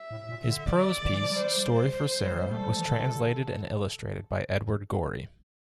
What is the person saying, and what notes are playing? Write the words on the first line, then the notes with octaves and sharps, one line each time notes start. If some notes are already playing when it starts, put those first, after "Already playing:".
His prose piece "Story for Sara" was translated and illustrated by Edward Gorey.
Already playing: E5
A2
A#2
D3
D5
D3
E3
F3
G3
C5
G3
E3
G3
A3 A4
G3
F3
E3
D3
A#2
C3
D3